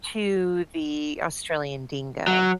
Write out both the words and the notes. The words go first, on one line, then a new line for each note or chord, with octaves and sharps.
to the Australian Dingo.
F#3